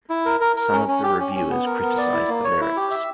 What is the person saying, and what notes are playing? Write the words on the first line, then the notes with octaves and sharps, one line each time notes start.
Some of the reviewers criticized the lyrics.
E4
A#4
A#4
A#4
C#4
C#4
G4
C#4
C#4
B3
A#4
B3
D5
E4
A#3
C#5
E4
G4
E5